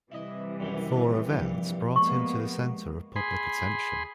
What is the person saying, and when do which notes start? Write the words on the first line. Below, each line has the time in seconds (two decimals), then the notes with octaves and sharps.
Four events brought him to the centre of public attention.
0.12 C3 E3 G3 E4 D#5
0.60 F#2 D#3 F#3
1.29 A#1 G2
1.96 G#3 A#3 B3 C#6
3.16 G#4 B5 C6